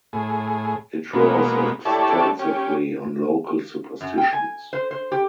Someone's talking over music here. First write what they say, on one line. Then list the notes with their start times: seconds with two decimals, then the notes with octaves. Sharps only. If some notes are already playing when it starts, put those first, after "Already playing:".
It draws extensively on local superstitions.
0.13 A2 G#4
1.13 B2 G#3 A#3 B3
1.85 E4 G4 A4 C#5 D5 A5
2.39 C#4 G4
4.01 F#2
4.18 G5
4.33 G#5
4.73 C5
4.91 C5
5.12 G4